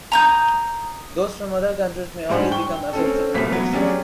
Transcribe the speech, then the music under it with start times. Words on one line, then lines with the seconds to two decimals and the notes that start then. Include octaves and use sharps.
Those from other countries may only become associate members.
0.12 A#5 D#6 G6
2.29 G#2 G3 D4 C5 F#5 G#5
2.51 G5 C#6 G7
2.93 C4 C#4 A4
3.34 D#1 C2 F#3 A#3 B6
3.49 F#3 B3
3.73 F#3 C#4 G4 G#4 D5